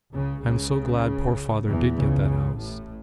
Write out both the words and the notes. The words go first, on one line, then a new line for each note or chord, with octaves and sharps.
I am so glad poor father did get that house.
C#2 C#3
C#2 C#3
E2 E3
C#2 C#3
A1 A2